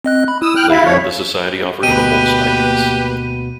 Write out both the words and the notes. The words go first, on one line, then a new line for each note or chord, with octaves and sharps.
Later, the society offered Humboldt stipends.
C4 D#5 F#6
B5
E4 D#6 E6
G5 F6 F#6
E4 F5 B6
F2 F3 C#5
D2 B2 A#3 G4 B4 D#7